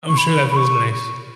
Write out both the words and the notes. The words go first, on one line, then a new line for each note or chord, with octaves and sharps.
I'm sure that feels nice.
C#6
B5
B5
C#6